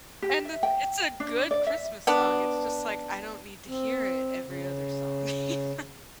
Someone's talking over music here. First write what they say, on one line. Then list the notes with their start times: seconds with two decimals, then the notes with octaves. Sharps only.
i and the th it's a good Christmas song. It's just like I don't need to hear it every other song, you know,
0.22 G4
0.45 E5
0.63 G5
1.20 D4
1.51 D5
1.67 E5
2.07 B3 D4
3.68 C4
4.45 C#3